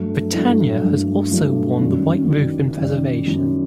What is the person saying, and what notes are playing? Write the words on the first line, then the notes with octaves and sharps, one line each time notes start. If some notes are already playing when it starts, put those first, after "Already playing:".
"Britannia" has also worn the white roof in preservation.
Already playing: G2 F#3 A3
G2 F#3 A3
G2 F#3 A3
G2 F#3 A3
F#2 D#3 G3
F#2 D#3 G3
F#2 D#3 G3
F#2 D#3 G3